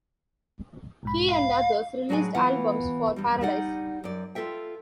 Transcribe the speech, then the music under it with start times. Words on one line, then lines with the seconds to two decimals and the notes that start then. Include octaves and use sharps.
He and others released albums for Paradise.
1.03 B1 G#2 B5
1.29 F5
2.09 A2 F#3 D4 G#4 D5 G#5
2.35 E2 E3 B3 E4 F4 F#5
3.16 E2 G2 G3
3.41 G3 D#4 D5 F#5
4.04 F#2 D5
4.35 F4 F#4 A4 E5 G5